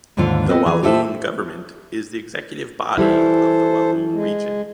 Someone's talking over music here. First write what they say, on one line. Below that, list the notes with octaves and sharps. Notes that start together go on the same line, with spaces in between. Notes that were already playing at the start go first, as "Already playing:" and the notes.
The Walloon Government is the executive body of the Walloon Region.
D#2 G#2 D3 D4 F4
B3 C4 B4 D#5
E3 G#4
F4 G4 A4 C5 E5
E3 G3 E4 A4 C5
G#3